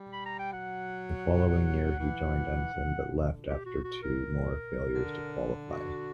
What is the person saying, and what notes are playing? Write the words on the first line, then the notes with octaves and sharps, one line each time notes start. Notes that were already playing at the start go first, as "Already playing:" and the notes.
The following year he joined Ensign but left after two more failures to qualify.
Already playing: G3
B5
A#5
G5
F#3 F#5
E3
D3
G4
F#4
F#4
A#4
D3
F#4